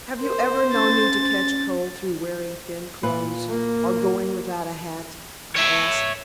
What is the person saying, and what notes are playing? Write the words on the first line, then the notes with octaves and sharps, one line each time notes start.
"Have you ever known me to catch cold through wearing thin clothes or going without a hat?" I asked.
A#4 C5
C#4 A6
A#2 F4 B4
A#3
C#5 E5